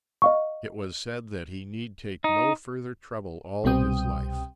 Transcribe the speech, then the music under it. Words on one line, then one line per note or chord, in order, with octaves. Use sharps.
It was said that he need take no further trouble all his life.
D#5 F5 C#6
D#4
C2 B2 G3 C4 G5 D#6